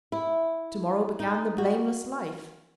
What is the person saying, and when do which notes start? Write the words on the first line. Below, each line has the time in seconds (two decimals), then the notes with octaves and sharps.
To-morrow began the blameless life.
0.12 E4
1.20 D#4
1.58 F#4